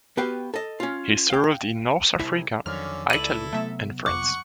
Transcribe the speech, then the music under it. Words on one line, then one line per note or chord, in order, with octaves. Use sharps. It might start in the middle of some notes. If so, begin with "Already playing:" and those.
He served in North Africa, Italy and France.
B3 F#4 G4 B4 F5 G5
A4 D#5
C#4 F4
F5 G5
C2 E4 E5
F2 D3 D#3 F#3 C#4 F6
E1 C#2 E4 A4 D5 D#7 F#7
C3 F#3 A3 B3 E5
G1 F2 F#5 C#6 D6